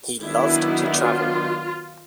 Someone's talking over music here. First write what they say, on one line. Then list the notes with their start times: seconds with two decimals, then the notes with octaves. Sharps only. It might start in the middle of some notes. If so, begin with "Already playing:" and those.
He loved to travel.
0.23 D#3 F#3 B3 D4 E4
0.99 F4